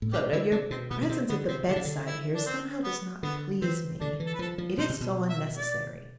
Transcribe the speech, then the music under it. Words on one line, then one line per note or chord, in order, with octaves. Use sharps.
'Clodagh, your presence at the bed-side here somehow does not please me. It is so unnecessary.'
A2
B2 G4
D3 E4
C3 D4
B2 C4
B2 B3
D3
C3 C4
D3 B3
C3 C4
D3 D4
C3
D3
E4
D4
C4
B3
D3 B3
E3 C4
D3 D4
E3
A4
B4
F3 A4
F3
B2 C5
C3
B2
E5
D5